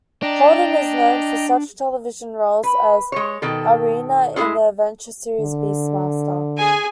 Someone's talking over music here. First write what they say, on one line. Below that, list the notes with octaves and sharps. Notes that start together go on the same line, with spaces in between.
Holden is known for such television roles as Arina in the adventure series "BeastMaster".
D4 D#5 G5 A#5
B4
G#3 C#5
B2 D#3 A4
G#3 E4 F4 G#4 A4
D3
G#4 G#5